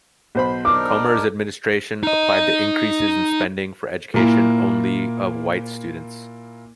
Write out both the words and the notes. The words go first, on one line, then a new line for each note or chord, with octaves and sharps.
Comer's administration applied the increases in spending for education only of white students.
B1 C5 B5
D4 D#4 A#4 D6
D#4 D#5
A#2 A#3 E4